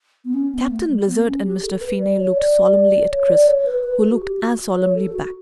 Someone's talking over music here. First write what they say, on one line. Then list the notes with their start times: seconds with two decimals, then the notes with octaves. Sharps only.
Captain Blizzard and Mr. Finney looked solemnly at Chris who looked as solemnly back.
0.25 B3
0.34 C#4
0.52 B3
0.71 A3
0.89 G3
1.08 B3
1.26 C#4
1.44 G4
1.63 A4
1.81 B4
2.00 D5
2.18 C#5
2.37 D5
3.10 C#5
3.29 D5
3.47 C#5
3.65 B4
3.84 B4
4.02 A4
4.11 F#4
4.21 G4
4.39 F#4
4.76 C#5
4.94 A4
5.13 F#4